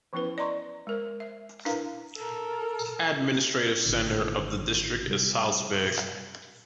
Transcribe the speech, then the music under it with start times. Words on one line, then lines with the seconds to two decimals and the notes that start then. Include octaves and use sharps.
Administrative center of the district is Salzburg.
0.13 E3 F3 B3 C#4 E4 B4
0.38 D5 D#5 A#5 C6 C#6
0.87 G#3 A#4 C5
1.20 E5
1.65 D4 E4 A#4 B4 F5 A#5
2.17 A4 A#4
3.86 G#1 A#2 D3
5.07 C3 G3